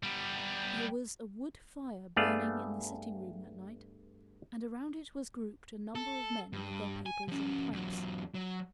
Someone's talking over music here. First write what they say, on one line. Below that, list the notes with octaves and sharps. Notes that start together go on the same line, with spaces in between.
There was a wood-fire burning in the sitting-room that night, and around it was grouped a number of men with their papers and pipes.
G3 B3
G2 A3 B3 G#4 D5 F5
A4
G2
G#5
F3 C#4
E2 F#3
F#3